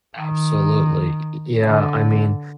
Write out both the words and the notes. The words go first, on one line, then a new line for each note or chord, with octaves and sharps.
Absolutely, y yeah, I mean,
D#3
D3